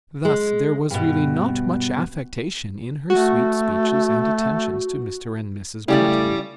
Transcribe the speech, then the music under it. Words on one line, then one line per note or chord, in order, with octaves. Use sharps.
Thus there was really not much affectation in her sweet speeches and attentions to Mr. and Mrs. Barton.
G#3
G2 B2
A3 F#4
C#3 G3 A3 E4 G4 D5